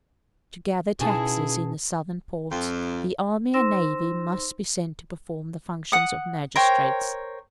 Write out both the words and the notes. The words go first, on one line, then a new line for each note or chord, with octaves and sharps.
To gather taxes in the Southern ports, the army and navy must be sent to perform the functions of magistrates.
B2 C#4 D#4 E4 F#4 G#4 G#5 A5
F2
D#4 C5 C6 E6 A#6 E7
F#5 D#6
A#4 C5 C#5 G5